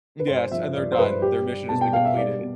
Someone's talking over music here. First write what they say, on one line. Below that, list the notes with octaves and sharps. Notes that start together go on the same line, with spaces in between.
yes, and they're done, their mission has been completed.
B4
G2 C5
F3 E5
G2 D5
C5
G2 B4
G3 G4
G3
B2 A5
G5
B2 F5
E5
G3 D5
B2